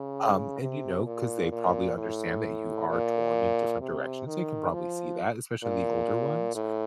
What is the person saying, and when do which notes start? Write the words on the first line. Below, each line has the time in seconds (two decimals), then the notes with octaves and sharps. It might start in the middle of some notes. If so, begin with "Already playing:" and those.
Um, and, you know, 'cause they probably understand that you are torn in different directions, they can probably see that, especially the older ones.
Already playing: C#3
0.61 C3
1.06 A#2
1.52 A#2
1.98 A2
2.89 A#2
3.81 C3
4.27 D#3
4.73 F3
5.63 A#2
6.55 A2